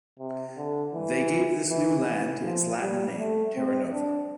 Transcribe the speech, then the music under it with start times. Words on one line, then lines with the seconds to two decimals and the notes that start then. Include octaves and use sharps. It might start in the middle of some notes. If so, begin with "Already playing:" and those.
They gave this "new land" its Latin name "Terranova".
0.19 C3
0.57 D3
0.94 E3
1.69 E3
2.07 E3
2.44 F3
2.81 G3
3.18 A3
3.56 C4
3.92 D4